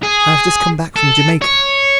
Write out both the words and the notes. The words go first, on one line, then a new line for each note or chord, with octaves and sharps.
I have just come back from Jamaica.
G#4
A4
C#5